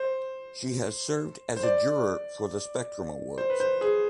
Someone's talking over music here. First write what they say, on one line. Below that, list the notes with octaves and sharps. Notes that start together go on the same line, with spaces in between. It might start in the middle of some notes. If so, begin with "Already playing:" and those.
She has served as a juror for the Spectrum Awards.
Already playing: C5
C5
D5
C5
B4
C5
G#4